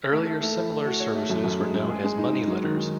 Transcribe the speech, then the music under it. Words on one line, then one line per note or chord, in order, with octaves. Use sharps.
Earlier similar services were known as "Money Letters".
A3
A4
A3
E4
A3
F#4
C#5
A3
F#2
F#2
G#3
G#3
G#4
G#3
D#4
G#3
F#3
D#3
D#3